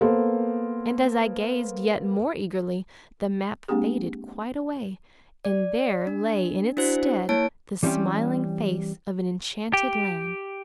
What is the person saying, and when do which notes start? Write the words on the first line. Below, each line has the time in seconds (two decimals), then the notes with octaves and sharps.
And as I gazed yet more eagerly the map faded quite away, and there lay in its stead the smiling face of an enchanted land.
0.01 A#3 B3 A4 C5
3.68 G#3 A#3 C4 D4 G4 G#4
5.45 D5
6.07 D4
6.77 D4 E4 F#4 C5
7.29 A#3 E4 C#5 A5 D7
7.83 E3 G3 C4 C#4 G4
9.73 G4